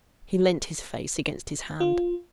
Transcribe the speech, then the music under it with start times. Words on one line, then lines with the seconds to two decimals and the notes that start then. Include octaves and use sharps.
He leant his face against his hand.
1.80 F4